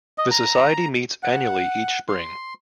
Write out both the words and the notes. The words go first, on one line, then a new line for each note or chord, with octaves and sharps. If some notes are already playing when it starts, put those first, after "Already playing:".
The society meets annually each spring.
D#5
A#5
F#5
C6